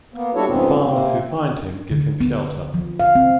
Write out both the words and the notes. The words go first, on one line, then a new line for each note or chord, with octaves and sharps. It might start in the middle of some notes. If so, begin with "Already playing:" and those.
Farmers who find him give him shelter.
A#3 B3
G3 D4 E4 F#4 A4 C#5
F2 G#2 C#3 B3 C4
C3 A#3 C4
D3
B3
F3
F5
C4